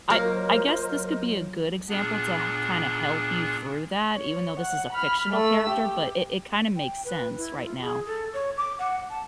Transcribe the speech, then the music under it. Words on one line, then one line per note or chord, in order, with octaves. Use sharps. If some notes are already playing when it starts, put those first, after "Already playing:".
I I guess this could be a good example to h kinda help you through that, even though this is a fictional character, but it it kinda makes sense right now.
F#3 A#3 F4 A#4 C5 C#5 D#5
A#2 B3 D4 G#4
C#5
F#5
B5 F6
A3 E6
G4
G5
B4
E4
F4
G#4
A4
C#5
D6
F#5
A5